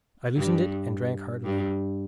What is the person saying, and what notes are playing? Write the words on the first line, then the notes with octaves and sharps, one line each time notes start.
I loosened it and drank heartily.
G2
G2